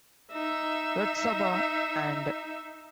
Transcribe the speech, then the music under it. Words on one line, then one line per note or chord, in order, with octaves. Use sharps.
Yotsuba and !
D#4 E5